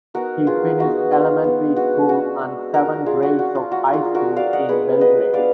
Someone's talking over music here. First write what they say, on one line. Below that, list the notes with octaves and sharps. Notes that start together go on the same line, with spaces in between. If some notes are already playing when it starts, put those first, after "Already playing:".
He finished elementary school and seven grades of high school in Belgrade.
B3 D#4 F#4 A#4
F3 F4 G#4
B3 D#4 F#4
F3 F4
B3 D#4
G#3 F#4
D4 F4 F#4
G#3
D4 F4 F#4 A#4
G#3 F4 G#4
F#4
D4 F4 F#4
F4
G#3 F#4
F4 G#4
D4 F4
F#4 A#4
F#3 D5 F5
D#5 F#5
B3 D4 F4 G#4 B4
F#3 B4 D#5
B3 D4 F4 D5 F5